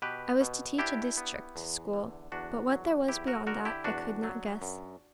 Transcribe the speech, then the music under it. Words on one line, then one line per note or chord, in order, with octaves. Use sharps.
I was to teach a district school; but what there was beyond that, I could not guess.
B2 G4 B4
B2
D4 E4 G4
B3
E2
D3
E2 D4 F#4
F#3
E2 E4 G4
F#4 A#4
D3 F#4 A#4
E4 G4
E2 D4 F#4
F#3
F#2